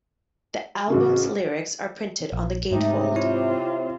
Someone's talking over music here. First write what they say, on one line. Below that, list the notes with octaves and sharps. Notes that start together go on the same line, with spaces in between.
The album's lyrics are printed on the gatefold.
A1 C#3 F#4
A#1
G#2 C3 A3 D#4
C4 E4 F4 C#5